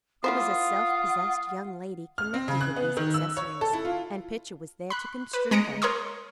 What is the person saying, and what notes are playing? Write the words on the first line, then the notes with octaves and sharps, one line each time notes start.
There was a self-possessed young lady connected with these accessories; and Pitcher was there to construe her.
A#3 E4 F4 C5 F#5 D#6
F6
C4
C#3
F#6
B3
D#3
E6
C#5
A4
E4
F4
B5 F#6
B4
G#3 A#5 A#6 C#7 D7
A#4 C#5 C6 D#6